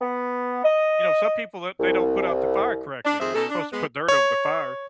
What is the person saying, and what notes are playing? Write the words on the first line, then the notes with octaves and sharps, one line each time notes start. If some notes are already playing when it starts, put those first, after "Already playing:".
You know, some people that they don't put out the fire correctly. You're supposed to put dirt over the fire,
B3
D#5
C2
D4
F2 D#3 C4 G#4 C5 E5
B2 C#4 D#4 A4
D4
G#3 B3
C#5